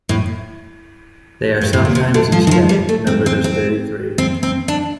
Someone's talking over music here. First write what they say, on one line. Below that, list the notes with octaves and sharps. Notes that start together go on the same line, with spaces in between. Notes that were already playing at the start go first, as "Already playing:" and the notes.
They are sometimes instead numbered as thirty-three.
A2
G2
A2
A#2
C3
D3
F3
D#3
F3
G3
A3
C4
C4
C4
C4
C4
D4